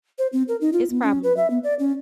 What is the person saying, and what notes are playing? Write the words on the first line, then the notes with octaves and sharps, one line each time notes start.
it's probably"
C5
C4
A#4
D#4
F4
B3
C#4
B4
E5
B3
D5
C#4